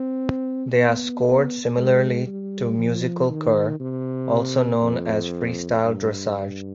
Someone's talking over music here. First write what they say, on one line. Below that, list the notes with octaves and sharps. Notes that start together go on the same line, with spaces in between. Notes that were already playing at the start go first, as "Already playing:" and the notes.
They are scored similarly to musical kur, also known as freestyle dressage.
Already playing: C4
B3
G#3
G3
F3
D#3
C3
F2
G2
G2